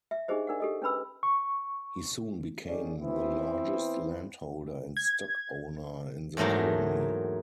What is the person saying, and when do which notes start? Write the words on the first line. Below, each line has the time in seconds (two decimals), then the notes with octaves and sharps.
He soon became the largest landholder and stock-owner in the colony.
0.11 E5
0.28 D4 D#4 G4 G#4 C5 D#5
0.47 D4 A#4 D5 F#5
0.60 G4 A4 D#5
0.82 C#4 D4 B4 B5 E6
1.23 C#6
2.66 D#3 C#4 G#4 D5
3.02 E3 B3 C4 E4
4.97 G#6
6.37 E2 G#2 F#3 A3 A#3